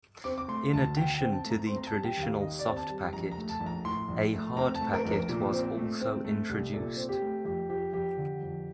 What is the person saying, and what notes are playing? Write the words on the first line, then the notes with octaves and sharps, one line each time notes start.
In addition to the traditional soft packet, a hard packet was also introduced.
C4 D6
D6
A3 C6
D2 A5
D3 G5
G5
C4
A5
A3 A#5
C4 C6
A#5
A5
G3
G5
D#2
F5
D#3 D#5
D5
C4
A5
G3
A#1 A#5
A#5
A3
A5
A#1
A#5
A2 C6
A#1
A3
C4 A#5
A5
A3
A#4
A#1
A#4
A#2
C4
A3
C4
A3
C2
A#2 A4
C4
G4
A3
F2 G4
F3 G4
F2 G4
D3
F2